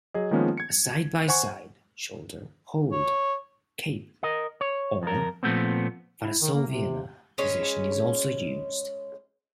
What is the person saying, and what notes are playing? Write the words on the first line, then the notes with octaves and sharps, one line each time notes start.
A "side by side", "shoulder hold", "cape", or varsouviana position is also used.
F#3 G#4 D#5
D#3 F3 G#3 A#3 B3 C#4
G#6 C#7
C5 F#5 G#5 C#6
C#5
A#4 D#5
C#5
F2 A#4
A#2 F3 F#3 A3 B3 C4
E4
D#3
A#3
C3
G#3 C#4 B4 C#5